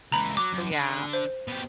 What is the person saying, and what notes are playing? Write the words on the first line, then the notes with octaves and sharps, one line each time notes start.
Oh, yeah.
C#2 E3 A#5 B5
F#3 D6
F#2
D3
C5
B2 G4